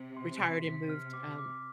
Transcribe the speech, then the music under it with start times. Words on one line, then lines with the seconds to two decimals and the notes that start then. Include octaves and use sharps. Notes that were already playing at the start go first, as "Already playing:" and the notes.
retired and moved, um,
Already playing: C3
0.17 C6
0.41 B6
0.64 C3 B6
0.89 F6
1.14 D6
1.38 D6